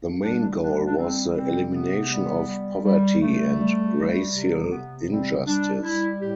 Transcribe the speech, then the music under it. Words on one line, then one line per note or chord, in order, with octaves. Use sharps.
The main goal was the elimination of poverty and racial injustice.
G3 D4
G3 D4
D4
G3 C4
C3 C4
C3 B3
G3
G3
G3
G3 A3
G3
G3
C3
C3 B3
G3 C4
G3 D4
G3 E4
A2 G4